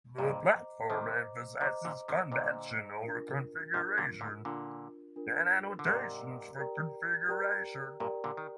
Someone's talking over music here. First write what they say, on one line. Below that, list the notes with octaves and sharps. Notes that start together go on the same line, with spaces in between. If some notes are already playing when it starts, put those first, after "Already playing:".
The platform emphasizes convention over configuration and annotations for configuration.
G2 A#2 C5 D#5 A#5 D6
C3 D#3 C5 D#5 A#5 D6
C3 D#3 C5 D#5 A#5 D6
A#2 D3
C3 D#3
A#2 D3 C5 D#5 A#5 D6
D4 F4 A#4
G#2 C3 D4 F4 A#4
A#2 D3
A#2 D3
A#2 D3 D4 F4 A#4
D4 F4 A#4
D3
G#2 C3 G4 A#4 D5 G5 A#5
G4 A#4 D5 G5 A#5
G4 A#4 D5 G5 A#5
G2 A#2 G4 A#4 D5 G5 A#5
A#2 D3
D#3